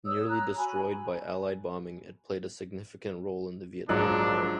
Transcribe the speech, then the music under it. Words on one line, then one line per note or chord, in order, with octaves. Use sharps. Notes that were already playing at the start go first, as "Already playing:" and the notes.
Nearly destroyed by Allied bombing, it played a significant role in the Vietnam War.
C#5 D#6 E6
A#5 F#6
F#4 G#5 B5
A#1 G#2 F#3 D4 F#6